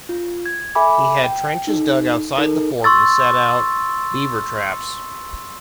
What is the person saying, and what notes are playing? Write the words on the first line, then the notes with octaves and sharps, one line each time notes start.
He had trenches dug outside the fort, and set out beaver traps.
F4
G#6
A4 E5 G#5 B5 D6
G5
D#4 A4
D#4 A4 A#4
C6 C#6 E6 A6